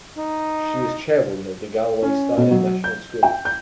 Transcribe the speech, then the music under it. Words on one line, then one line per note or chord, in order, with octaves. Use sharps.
She is chairwoman of the Galway Steiner National School.
D#4
C#4
B2
F#3
G6
G5
G6